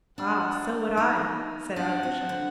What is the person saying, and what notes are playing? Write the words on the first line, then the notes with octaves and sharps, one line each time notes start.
"Ah, so would I," said Alyosha.
D4 F#5
D#4
D4 F#5
C4
D3